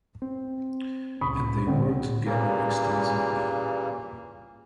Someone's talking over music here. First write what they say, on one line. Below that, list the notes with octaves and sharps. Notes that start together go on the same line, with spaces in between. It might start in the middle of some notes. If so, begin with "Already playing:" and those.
And they worked together extensively.
C4
C#2 A#2 C#3 B5 C#6 D#6
D3 C4 D4
A#2 C#3 E3 G3 A#3